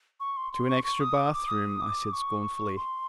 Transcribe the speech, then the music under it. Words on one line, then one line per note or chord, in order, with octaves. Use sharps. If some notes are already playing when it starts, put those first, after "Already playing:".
"To an extra bath-room," I said scornfully.
C#6
C6
C6
C#6
C#6
D#6
D6
D6
D#6
D6
C#6
C6